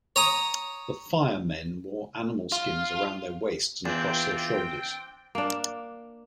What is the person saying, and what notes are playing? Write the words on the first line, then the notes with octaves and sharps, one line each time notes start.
The Fire-Men wore animal skins around their waists and across their shoulders.
C#5 A#5 D#6
F4
E2 E3 C4 D4 F4 G5
A#3 D4